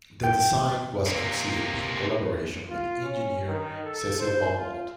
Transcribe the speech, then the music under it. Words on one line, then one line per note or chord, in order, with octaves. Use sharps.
The design was conceived in collaboration with engineer Cecil Balmond.
G5
C3 A#3
F4
C#4
D#3
A4
C5
F4